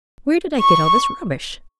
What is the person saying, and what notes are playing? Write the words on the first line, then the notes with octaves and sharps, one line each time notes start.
Where did I get all this rubbish?
C#6